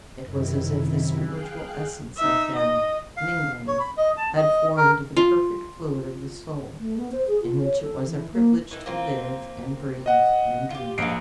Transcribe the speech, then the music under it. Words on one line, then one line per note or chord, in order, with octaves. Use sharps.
It was as if the spiritual essence of them, mingling, had formed the perfect fluid of the soul, in which it was a privilege to live and breathe and dream.
F#2 C3 D#3 E4
G#4 F5 G5 F#6
D#4 E5
D#5
F5
C#5
B5
D#5
A5
D#5
A#4
F4
A3
B3
C5
G#4
F4
C#5
A4
E3
A#3
D#3 E3
A#3 C4 F4
D#5 F#5
F4 G4
A#1 D#5 F5 C7 D7